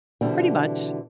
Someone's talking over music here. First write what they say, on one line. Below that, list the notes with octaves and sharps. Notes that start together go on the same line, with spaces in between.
Pretty much.
B2 D3 E3 G3 C4